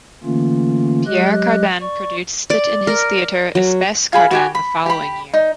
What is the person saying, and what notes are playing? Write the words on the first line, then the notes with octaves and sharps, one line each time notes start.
Pierre Cardin produced it in his theater "Espace Cardin" the following year.
D3 E3 A3 A#3 C#4 F4
F#3 G#3 G4 D#5 F#6
D5 C#6
D5
A#4
F#3
F4 G#4 B5
F#4 G4 G#5
B5
G4 B5
D#4